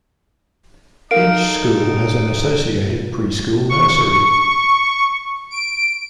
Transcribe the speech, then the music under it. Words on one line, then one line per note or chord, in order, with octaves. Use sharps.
Each school has an associated pre-school nursery.
D#4 A4 A#4 F5 D7
C#6
D7